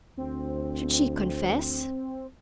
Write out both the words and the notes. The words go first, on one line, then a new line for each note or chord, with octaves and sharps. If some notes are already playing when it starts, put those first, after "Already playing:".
Should she confess?
D2 C4